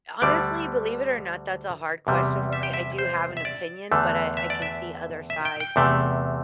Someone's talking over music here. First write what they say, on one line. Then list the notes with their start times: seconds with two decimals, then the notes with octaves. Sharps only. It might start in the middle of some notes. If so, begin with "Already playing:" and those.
honestly, believe it or not, that's a hard question for me. I do have an opinion, but I I can see other sides.
0.22 D2 D3 G3 D5
2.07 E2 C3 G3
2.53 E5
2.63 G5
2.73 E5
2.98 C5
3.37 E5
3.45 D5
3.91 E2 D3 A3
4.37 E5
4.50 D5
4.62 E5
5.30 E5
5.45 G5
5.60 G5
5.76 E2 C3 A3